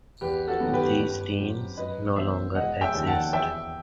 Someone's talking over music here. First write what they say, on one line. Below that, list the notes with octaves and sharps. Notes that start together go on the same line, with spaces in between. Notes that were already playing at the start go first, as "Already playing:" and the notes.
These teams no longer exist.
E2 G4 B4
F#4 A4
D#3 F#3 B3
G4 B4
G1
F#2 F#3 C4
F#2 B4 D#5
E3 B3 C5 E5
E1 D#5 F#5
E5 G5
D#2 D#3
F#5 A5
E2 E5 G5